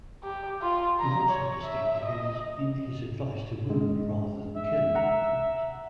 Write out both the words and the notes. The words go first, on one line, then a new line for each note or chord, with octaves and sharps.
He is also distinctive in his advice to wound rather than kill an opponent.
G4
F4
A#5
C#5
E5
D#5
G#3
E5
F#5 A#5